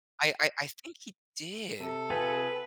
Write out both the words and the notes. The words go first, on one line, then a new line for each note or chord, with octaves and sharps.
I I I think he did.
C3 A4
C4 F4 G#4 B4